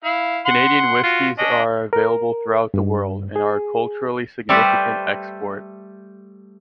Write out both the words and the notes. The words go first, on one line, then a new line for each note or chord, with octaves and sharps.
Canadian whiskies are available throughout the world and are a culturally significant export.
E4 F5
F#5 C6
F4 F#4
C#4 D4 D#5
A#4
G2
G#4
G3 A3 G4 A4 B4 C5